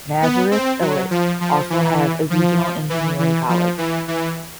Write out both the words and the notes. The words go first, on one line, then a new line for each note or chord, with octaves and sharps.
Nazareth Illit also has a regional engineering college.
B3
C4
F#3
F3
F3
E3
F3
E3
E3
F3
E3
E3